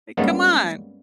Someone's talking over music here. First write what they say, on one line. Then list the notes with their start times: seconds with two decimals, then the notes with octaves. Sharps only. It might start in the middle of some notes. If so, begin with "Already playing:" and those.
Like, come on."
0.17 G2 G3 G#3 A#3 B3 C#4